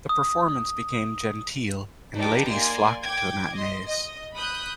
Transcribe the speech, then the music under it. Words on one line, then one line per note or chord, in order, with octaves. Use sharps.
The performance became genteel, and ladies flocked to the matinees.
D#6
D4 D#4 G4 B4 A5 D6
A#3 D5 G#5 C6
G5 D6 G#6
D#5 C6
D#5
B5 D#6 F#6 G6